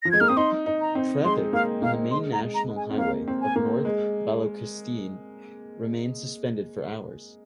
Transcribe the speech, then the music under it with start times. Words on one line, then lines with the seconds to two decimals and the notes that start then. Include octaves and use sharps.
Traffic on the main national highway of North Balochistan remained suspended for hours.
0.02 F3 A#6
0.11 G#3 G#6
0.20 A#3 F6
0.28 C4 D#6
0.37 D#4 C6
0.66 D#4
0.81 A#5
0.95 C4
1.24 G#3 C6
1.53 A#3 F5
1.82 A#3 F5
2.11 G#3 C6
2.33 A#5
2.40 G#3
2.54 A#5
2.69 G#3
2.77 G#5
2.90 C4
2.98 A#3 F5
3.28 C4
3.41 G#5
3.56 A#3
3.85 G#3